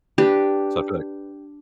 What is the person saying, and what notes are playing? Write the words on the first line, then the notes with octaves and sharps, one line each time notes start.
so I feel like
D4 G4 B4